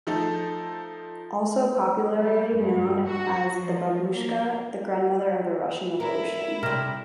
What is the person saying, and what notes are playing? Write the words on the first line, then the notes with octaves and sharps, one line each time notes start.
Also popularly known as known as Babushka, the grandmother of the Russian Revolution.
F3 A3 D#4 A4
G3
G2
F#4
F3
A#3
E4 A#4
C3 G3 A#4